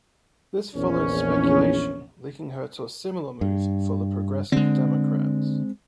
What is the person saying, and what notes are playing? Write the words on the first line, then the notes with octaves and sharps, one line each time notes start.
This followed speculation linking her to a similar move for the Progressive Democrats.
A#1 E2 C#4
G2
D3 G#3 C4